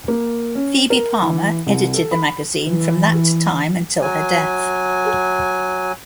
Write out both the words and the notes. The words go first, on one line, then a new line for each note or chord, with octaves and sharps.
Phoebe Palmer edited the magazine from that time until her death.
A#3
C#4
A#4
E3
C2
A4
B5
E3
F#3 G#5